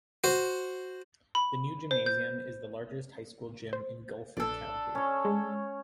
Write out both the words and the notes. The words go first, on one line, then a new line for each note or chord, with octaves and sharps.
The new gymnasium is the largest high school gym in Guilford County.
F#4 C5
B5
C5
G6
C5
A#1 D4 A4
C#4 C#5
G#3